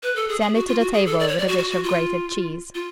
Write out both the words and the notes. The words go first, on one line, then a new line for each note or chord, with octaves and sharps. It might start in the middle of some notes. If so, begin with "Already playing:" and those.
Send it to the table with a dish of grated cheese.
B4
A4
G#4
G#4
F#4
F4
F#4
G#4
A4
D5
C#5
D5
F#4
F#4
F#4
F4
F4